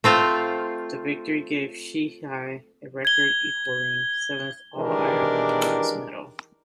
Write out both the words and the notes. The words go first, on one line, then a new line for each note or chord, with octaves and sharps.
The victory gave Sheehy a record-equalling seventh All-Ireland winners' medal.
A3 C4 F4
G#6 G7
D#3 E3 G#3 D4 G4 A#4